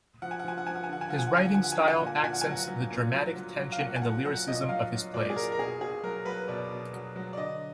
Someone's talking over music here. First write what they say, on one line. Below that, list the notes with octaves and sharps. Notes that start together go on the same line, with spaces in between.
His writing style accents the dramatic tension and the lyricism of his plays.
F3 F#5
G#5
F#5
F3 G#5
F#5
F3 G#5
F#5
G#5
D3 F#5
G#5
F3 F#5
G#5
F#5
D3 G#5
F#5
F3 G#5
F#5
G#5
D3 F#5
G#5
A#2 F#5
G#5
F#5
A#2 G#5
F#5
G#5
F#3 F#5
F#3
A#2
F#3
F#3
F#3
F5
A#2 F#5
G#5
A#2 F#5
F#3 F#5
A#2 D#5
F#3 F5
F#3
A#2 D5
G#4
A#2 A#4
A#4
B2 G#4
B2 G#4
F#3 A#4
F#3 B4
B2 D5
B2
F#3
F#3
D5
D3 D#5